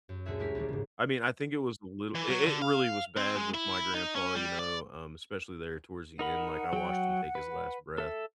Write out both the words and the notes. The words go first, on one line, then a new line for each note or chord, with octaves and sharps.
I mean, I think it was a little it it really was bad with my grandpa, you know, um, especially there towards the end, like, I watched him take his last breath.
F#2
D2 A#2 D3 F#4 G#4 E5
G#3 E4 F#4 G4 A#4 B6
A#1 D#2 G3
G#2 C#3
E3
F#3
D3
F5
C4
G#3
E4
D#4
C#4
G3
D5
D#4 A#4 F#5 B5
F#3 G5
B4
A4 E5